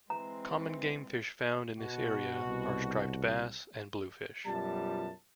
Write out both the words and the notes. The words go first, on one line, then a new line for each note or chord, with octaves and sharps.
Common game fish found in this area are striped bass and bluefish.
E3 G#3 C4 A#5
B2 F#4
C2
F#2 B2 G3 F4 A5